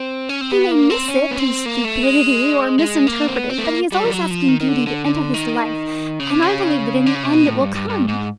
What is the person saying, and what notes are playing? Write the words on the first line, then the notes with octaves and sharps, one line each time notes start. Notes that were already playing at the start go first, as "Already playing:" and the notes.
He may miss it through stupidity, or misinterpret it, but he is always asking beauty to enter his life, and I believe that in the end it will come.
Already playing: C4
C#4
C4
B3
A#3
C4
C#4
B3
C4
A#3
A3
G#3
G#3
A#3
C4
B3
C4
A3
A#3
G3
F3
F#3
F3
D#3
D#3
D3
D3
D3
D#3
C#3
C3
C#3
D3
C#3
C3
B2
A2
G2
G2
G2
G#2